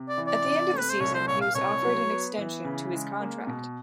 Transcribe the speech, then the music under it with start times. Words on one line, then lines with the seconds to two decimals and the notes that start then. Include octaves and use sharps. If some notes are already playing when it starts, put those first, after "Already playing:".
At the end of the season he was offered an extension to his contract.
Already playing: C3
0.09 D5
0.18 E3
0.27 D5
0.45 C3
0.73 A3
0.79 B4
0.90 C5
1.00 C2 C#5
1.14 C5
1.27 A#2 C#5
1.41 F5
1.55 C2 C#5
1.83 F#3
2.11 B3
2.38 E3
2.64 C#3
2.93 G#3
3.20 A#3
3.47 B2